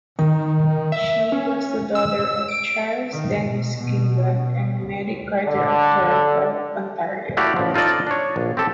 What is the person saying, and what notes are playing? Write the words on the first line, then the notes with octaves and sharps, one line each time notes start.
She was the daughter of Charles Dennis Kingdon and Mary Carter of Toronto, Ontario.
D#3
E5
C#4
E6
D7
D#3
B2
B2
B2
C#2
D3
A3 E4 F#4 G4 D5 F5
A1 F3
D#4 F4 A4 D5 D#5
D4 C#5
A#1
C4 G4 A4